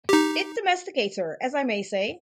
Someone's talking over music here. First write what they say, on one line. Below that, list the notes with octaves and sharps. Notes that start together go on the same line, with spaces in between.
It domesticates her, as I may say.
D#4 G4